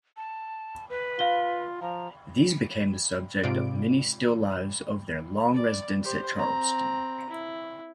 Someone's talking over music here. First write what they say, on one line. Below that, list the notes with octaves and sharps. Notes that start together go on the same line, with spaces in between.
These became the subject of many still lives over their long residence at Charleston.
A5
B4
F4 F5 G7
F3 A#5
G#2 C3 F4 D5 D7
D5
G4 C5
C4 A#5
E4